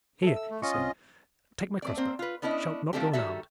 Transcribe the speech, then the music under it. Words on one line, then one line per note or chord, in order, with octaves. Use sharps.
"Here," he said, "take my cross-bow; shalt not go unarmed."
A4 E5
E6
A3
C#4 F4 D#5 C#6
C2 C4 D#6
A3 C4 D5
A#3 C4 C5
F4 B4
B3 C#4 D4 E4 D#5
F3 G3 A3 C4 D4 G4
D#3 G3 F#4 A4 E5